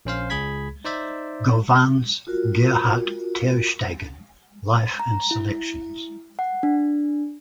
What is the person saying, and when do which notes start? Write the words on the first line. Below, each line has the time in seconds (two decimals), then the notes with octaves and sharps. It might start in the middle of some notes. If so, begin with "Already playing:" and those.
Govan's, "Gerhard Tersteegen: Life and Selections".
0.05 A#1 C#4 C5 F5
0.30 C#2 G#4 B5 G#6 B6
0.85 D#4 C5 D5 E5
2.27 F4 F#4 A#4
5.00 A#5
5.31 E4
6.39 F#5
6.63 D4